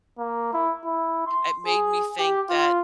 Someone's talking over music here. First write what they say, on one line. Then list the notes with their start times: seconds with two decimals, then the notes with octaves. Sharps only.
It made me think that,
0.19 A#3
0.53 E4
0.85 E4
1.26 C6
1.66 G#4
2.19 G4
2.50 F4